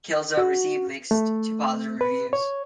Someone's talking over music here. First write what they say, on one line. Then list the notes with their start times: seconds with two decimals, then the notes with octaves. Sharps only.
"Killzone" received mixed to positive reviews.
0.37 F#4
1.11 A3
2.01 B4
2.33 C#5